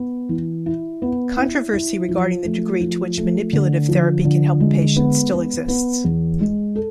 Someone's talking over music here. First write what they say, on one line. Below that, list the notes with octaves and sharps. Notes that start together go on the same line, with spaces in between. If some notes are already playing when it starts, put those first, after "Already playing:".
Controversy regarding the degree to which manipulative therapy can help a patient still exists.
Already playing: B3
E3
E4
B3
E4
E4
F3
A3
F3
A3
D3
F3
D3
G#3
B3
B3
B3
E2
G#3
A4